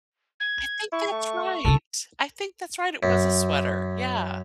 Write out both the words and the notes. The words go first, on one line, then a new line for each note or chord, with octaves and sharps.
I think that's right, I think that's right, it was a sweater, yeah.
G#6
E4 C#6
A3
C2 C#3 A4
F#2